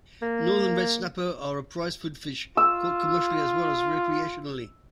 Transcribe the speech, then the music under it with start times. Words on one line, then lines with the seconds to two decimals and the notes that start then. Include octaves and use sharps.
Northern red snapper are a prized food fish, caught commercially, as well as recreationally.
0.22 A#3
2.57 F4 E6